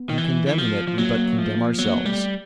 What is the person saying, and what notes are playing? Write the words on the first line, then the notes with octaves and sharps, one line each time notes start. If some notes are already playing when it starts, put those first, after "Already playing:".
In condemning it we but condemn ourselves.
Already playing: B3
D#3
E3
E3
F3
F3
F#3 A#3
A#3
F3 A3
A#3
F#3 B3
A#3
B3
G3 A3